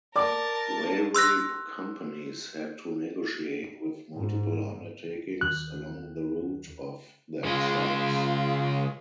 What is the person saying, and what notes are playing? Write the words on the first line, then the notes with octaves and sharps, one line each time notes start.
Railway companies had to negotiate with multiple undertakings along the route of their tracks.
A#4 D5 A5 D6
C6 E6 F#6 A#6
G#2
D#2 F#6
C#3 G#3 F4 G#4